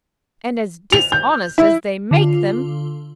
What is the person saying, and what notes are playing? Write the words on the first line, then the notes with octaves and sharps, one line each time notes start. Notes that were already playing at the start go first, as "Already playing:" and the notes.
'And as dishonest as they make them.'
F7
G6
E4
D3 F4